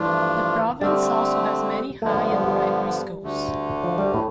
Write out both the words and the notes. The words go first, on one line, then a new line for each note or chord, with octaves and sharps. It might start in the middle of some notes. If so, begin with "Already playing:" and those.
The province also has many high and primary schools.
Already playing: G2 E3 F3 A3 D4 F4
D3 G3 A3 C4
G2 D3 F3 A3 B3
A3
G3
G3
D2 D3 A3
F3
G3
A2